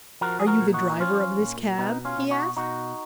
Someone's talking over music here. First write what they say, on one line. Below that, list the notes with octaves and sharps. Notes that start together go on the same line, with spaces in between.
"Are you the driver of this cab?" he asked.
F3 F#4 A#4
G#4
F#4 A#4
A#2
D#4 F#4
D#4
F3 C#4 F4
A#2
B2 B3 D#4
C#4 F4
B2
D#4 F#4
B2 D#4 F#4